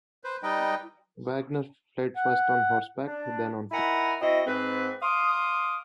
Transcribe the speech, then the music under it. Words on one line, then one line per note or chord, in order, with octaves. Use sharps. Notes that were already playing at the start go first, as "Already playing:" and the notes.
Wagner fled first on horseback, then on foot.
B4 C5
G3 D#4 B4 D#5 G5
F#5
D4
D#3 E4 F#5 G#5 A#5 B5
C4 E4 F#4 D#5
G#2 C4 B4
F5 C6 D6 D#6